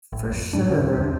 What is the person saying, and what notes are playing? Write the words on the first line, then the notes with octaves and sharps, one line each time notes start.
For sure.
A1
F2
G#2 G3 D4
E2 D3 C#4
C2 F2 B2 G3
E2 D4